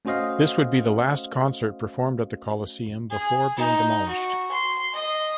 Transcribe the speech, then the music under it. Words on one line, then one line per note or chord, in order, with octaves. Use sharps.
This would be the last concert performed at the Coliseum before being demolished.
A3 C#4 F#4 C5 D#5 F5
G#4
D#4
F#4
C6
D#5